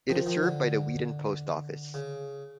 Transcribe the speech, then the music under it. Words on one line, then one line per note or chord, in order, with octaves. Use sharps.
It is served by the Wheaton Post Office.
D#3 F3
D#3 F3
D3
C#3